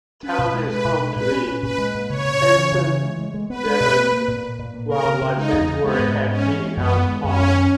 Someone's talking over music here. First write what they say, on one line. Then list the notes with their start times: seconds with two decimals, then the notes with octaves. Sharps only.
The town is home to the Kensan-Devan Wildlife Sanctuary at Meetinghouse Pond.
0.22 C#4 B4
0.38 B2
0.53 G#3
0.69 G#3 B4
0.85 B2
1.01 G#3
1.16 A#2 B4
1.31 C#4
1.47 C#4
1.63 A#2 B4
1.78 G#3
1.94 A#2
2.09 C#3 C#5
2.25 C#3
2.40 C#3
2.56 E3
2.72 C#3
2.88 E3
3.03 G#3
3.19 G#3
3.34 G#3
3.50 B3 B4
3.66 G#3
3.80 B2
3.96 A#3
4.12 A#3
4.28 A#2
4.43 A#3
4.59 A#2
4.74 A#3
4.90 C#3 A#4
5.05 C#3
5.22 C#3
5.36 G#3 D#4
5.52 E2
5.68 C#3
5.83 G#3 B3
5.99 G#2
6.14 G#2
6.30 G#3 C#4
6.46 E3
6.61 G#3
6.77 F#2 B3
6.92 D#3
7.08 G#3
7.23 F#2 C#4
7.39 F#2
7.54 D#3